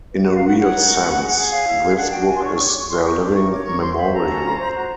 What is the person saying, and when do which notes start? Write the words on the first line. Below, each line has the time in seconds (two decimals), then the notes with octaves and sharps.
In a real sense, this book is their living memorial.
0.12 B4
0.24 B4 F#5
0.35 F5
0.43 F#4 F#5
0.58 C#5 F#5
0.73 A#4
0.89 F#4
1.04 C#4
1.20 G#4
1.36 G#4
1.51 C#5 F5
1.67 E4
1.82 G#4
1.96 D4 F#5
2.12 F#4 G5
2.27 D4 G#5
2.36 C6
2.42 C#5 C#6
2.55 C#5 C#6
2.67 D6
2.74 C#5 C#6
2.89 A#4 C6
3.04 G4 C#6
3.21 D4 D6
3.35 A#4 C#6
3.50 C#5 D6
3.66 A#4 C#6
3.82 C5 C6
3.92 C6
3.97 C5 B5
4.13 A4 A#5
4.28 C#4
4.44 F4
4.58 C5
4.74 F#4 A#5